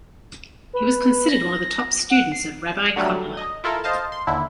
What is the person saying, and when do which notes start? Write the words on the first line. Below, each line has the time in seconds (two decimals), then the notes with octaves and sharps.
He was considered one of the top students of Rabbi Kotler.
0.73 B4
1.29 A#6
2.10 F#5
2.32 C7
2.96 D3 F#3 G3 A3
3.37 D#5
3.64 E4 F4 A4 A#4
3.84 C5 D#5 F5 A5
4.12 C6
4.27 D#2 D3 E4